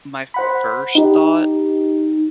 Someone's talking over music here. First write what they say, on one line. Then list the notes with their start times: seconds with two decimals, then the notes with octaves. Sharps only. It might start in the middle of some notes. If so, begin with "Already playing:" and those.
my first thought
0.34 C5 F#5 B5
0.95 D#4 G4